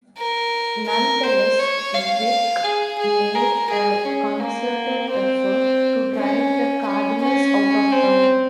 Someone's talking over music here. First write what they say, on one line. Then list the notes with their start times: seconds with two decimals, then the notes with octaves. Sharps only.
Nonetheless, Veeck made a concerted effort to drive the Cardinals out of town.
0.18 A#4
0.88 A#4
1.23 C5
1.59 C#5
1.94 F5
2.64 G#4
2.99 G#4
3.35 A#4
3.70 G#4
4.05 C#4
4.40 A#3
5.11 C4
6.16 C#4
6.87 C#4
7.22 C#4
7.92 C4